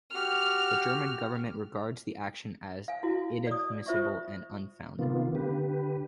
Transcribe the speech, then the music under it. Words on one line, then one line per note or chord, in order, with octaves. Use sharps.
The German government regards the action as "inadmissible and unfounded".
F#4 G4 F6
F5 G#5
E4 F#4
D5 D#6
F4 C5 E5 C#6
C3 D#3 A#3 B3 F4
D3 G4 B4